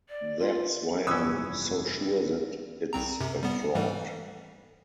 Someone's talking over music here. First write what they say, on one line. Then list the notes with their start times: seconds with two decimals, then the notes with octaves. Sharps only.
That's why I'm so sure that it's a fraud.
0.09 D5
0.40 F4
1.07 F1 G2 E3 F3 C#4 D#6 E6
2.93 C2 C4 A#5
3.20 F#2 C3
3.43 G3 B3
3.75 G#2 E3 G3